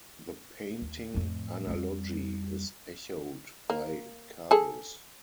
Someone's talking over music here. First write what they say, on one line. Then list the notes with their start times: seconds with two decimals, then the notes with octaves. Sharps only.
The painting analogy is echoed by Cardus.
0.81 D#2
1.14 F2 A2
1.67 F2 G3
3.70 A#3
4.51 G#4 A4